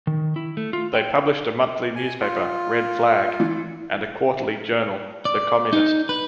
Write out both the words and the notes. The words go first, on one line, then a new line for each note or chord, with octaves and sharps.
They published a monthly newspaper, "Red Flag", and a quarterly journal, "The Communist".
D#3
E4
A3
F4
G5
G#5
F4
E3
D5
D#4
B4